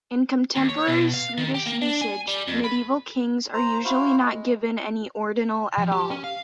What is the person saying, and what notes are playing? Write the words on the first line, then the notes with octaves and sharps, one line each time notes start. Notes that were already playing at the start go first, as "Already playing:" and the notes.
In contemporary Swedish usage, medieval kings are usually not given any ordinal at all.
D#2
C#5
B2
F5
D#3
G4
A#3
D4
G#5
G3
F2
B4
C5 A#5
E4 F#4 C5 F5
G#3
F3
G4
C#4
F5